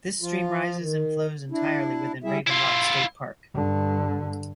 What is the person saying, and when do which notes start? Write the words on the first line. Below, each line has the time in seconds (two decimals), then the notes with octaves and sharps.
This stream rises and flows entirely within Raven Rock State Park.
0.21 F3 F4
0.79 D#3
1.51 D4 E4
2.24 G3 E4 G#4 E5
2.47 E4 F4
3.54 G2 D3